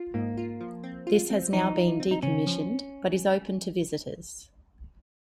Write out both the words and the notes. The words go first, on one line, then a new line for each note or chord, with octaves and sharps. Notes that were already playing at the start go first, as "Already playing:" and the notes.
This has now been decommissioned, but is open to visitors.
Already playing: F4
G#2 A#3
F4
F3
C4
F4
C4
F3 D#4
F4
C4
D#4
C#3 C#4
F3